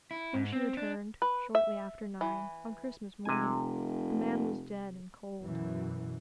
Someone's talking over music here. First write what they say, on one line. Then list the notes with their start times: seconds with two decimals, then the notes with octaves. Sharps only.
When she returned, shortly after nine, on Christmas morning, the man was dead and cold.
0.11 E4
0.34 G#2
0.52 C4
0.77 D4
1.22 B4
1.55 E5
2.21 E3
3.25 F1 C3 G#5
5.43 F#2 B2 E3